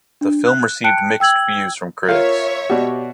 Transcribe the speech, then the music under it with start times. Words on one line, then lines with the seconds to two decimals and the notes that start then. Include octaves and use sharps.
The film received mixed views from critics.
0.21 D4
0.46 F#6
0.84 G5 A5 F#6 C#7 D7
1.20 G5 E6 G#6 F#7
2.09 F4 A#4 C#5 E5 F5
2.70 B2 F#4 G4 D5